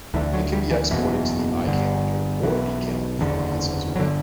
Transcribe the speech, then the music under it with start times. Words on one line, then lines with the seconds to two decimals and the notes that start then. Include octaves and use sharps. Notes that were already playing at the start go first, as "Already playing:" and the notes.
It can be exported to the iCalendar or vCalendar formats as well.
0.14 D2 D3 E3
0.33 F#3
0.52 G3
0.71 E3
0.90 F#1 E2 B2 E3
1.67 G1 G2 D3
2.42 B1 B2 E3
3.19 F#1 E2 D3
3.95 G1 F#3
4.00 D3